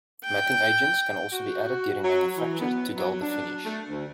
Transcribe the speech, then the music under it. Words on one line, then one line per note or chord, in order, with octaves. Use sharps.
Matting agents can also be added during manufacture to dull the finish.
G5
F#4
F#3
E3
B3
F#3
D4
A3
D2